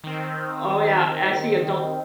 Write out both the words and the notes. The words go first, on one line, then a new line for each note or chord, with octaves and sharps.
o oh, yeah. I see adult
D#3 C4